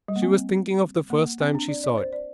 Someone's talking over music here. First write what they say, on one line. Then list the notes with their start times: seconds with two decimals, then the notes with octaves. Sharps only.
She was thinking of the first time she saw it.
0.08 G3
0.16 A#3
0.22 C4
1.10 A#3
1.40 C4
1.55 D4
1.68 D5
1.84 D5
1.98 C5
2.13 D5